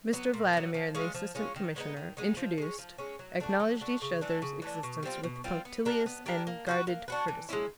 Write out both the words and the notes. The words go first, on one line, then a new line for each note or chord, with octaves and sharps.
Mr Vladimir and the Assistant Commissioner, introduced, acknowledged each other's existence with punctilious and guarded courtesy.
F#3 B3
A#2
F#3 B3
F3
G#3 C#4 F4
F3
G#3 C#4 F4
D#3
G#3 B3 D#4
D#3
G#3 B3 D#4
F3
G#3 C#4
F3
G#3 C#4
F#3
A3 D4 F#4
F#3
A3 D4 F#4
C#3
E3 A3 D4
C#3
E3 A3 D4
B2
G3 C4 F4
B2
G3 C4 F4
B3
D4 G4 A#4
B3
D4 G4 A#4
A#3
D4 F#4 B4
A#3
D4 F#4 B4
E3
G#3 C#4 E4